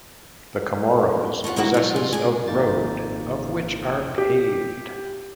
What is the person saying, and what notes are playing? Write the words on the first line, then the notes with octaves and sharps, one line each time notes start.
The Comoros possesses of road, of which are paved.
A3 C#4 F4 F#5
G2 D3 A#3 E4 F#4 F#5
F#3 F4
F4 G#4
D4 G#4
G#1 F2 A#2 A#3 D#4 A6
G4